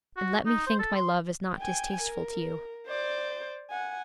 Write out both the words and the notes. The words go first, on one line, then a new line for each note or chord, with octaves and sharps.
And let me think my love is not distasteful to you.
F#4
D#4
C5
A4
C6
G5 G#5
A#4
C5 D5
F#5 G#5